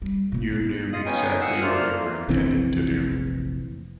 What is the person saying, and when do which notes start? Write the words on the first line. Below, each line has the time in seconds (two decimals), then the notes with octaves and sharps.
You knew exactly what you were intending to do.
0.02 G3
0.32 A#2 A#3
0.50 B3
0.93 F4 D#5 F5 D#6
1.06 B3 C#4 D#4 G5 G#5 D#6
1.41 F5 F#5 G#5 D#6 E6
1.62 A3 A#3 F4 C5 D5 F6
1.98 A#3
2.29 F1 A#1 E3 C4